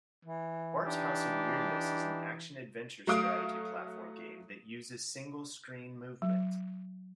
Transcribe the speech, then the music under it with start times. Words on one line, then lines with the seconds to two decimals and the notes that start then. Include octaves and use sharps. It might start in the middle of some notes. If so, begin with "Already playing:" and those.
"Bart's House of Weirdness" is an action-adventure-strategy platform game that uses single-screen movement.
0.25 E3
0.85 D4 D#4 G4
3.07 F#3 A3 F5 D#6 D7
6.22 F#3